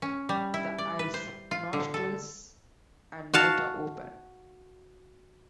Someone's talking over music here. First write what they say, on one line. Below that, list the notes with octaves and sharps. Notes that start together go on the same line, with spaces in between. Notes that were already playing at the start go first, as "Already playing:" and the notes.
The eyes, nostrils and mouth are open.
C#4
G3
E4
D5
B4
C5
F4
D3
A4
F#4 F5 A5